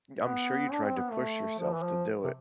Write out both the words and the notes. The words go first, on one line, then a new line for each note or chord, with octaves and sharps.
I'm sure you tried to push yourself to do it,
B3
D4
C4
B3
A3
F3
E3
F3
C3